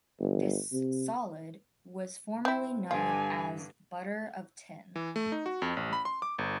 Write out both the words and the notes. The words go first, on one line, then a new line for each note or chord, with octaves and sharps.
This solid was formerly known as "butter of tin".
G1
C3
C4 E4
G2 D3 F4 G#5
E3
A3
D#4
F#4
F2
A1
B5
C6
D6
G1